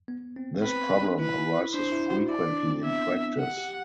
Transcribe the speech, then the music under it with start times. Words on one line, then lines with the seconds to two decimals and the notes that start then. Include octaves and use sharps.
This problem arises frequently in practice.
0.08 B3
0.36 C4
0.64 C4 B4
0.91 D4
1.19 E4 B4
1.74 D4 C5
1.92 E4
2.10 F#4
2.29 E4 D5
2.48 D4
2.66 C4
2.84 B3 E5
3.12 B3
3.39 G4 F#5
3.58 G4